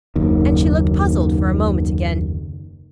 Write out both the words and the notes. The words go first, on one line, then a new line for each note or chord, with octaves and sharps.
And she looked puzzled for a moment again.
F#1 D#2 D#3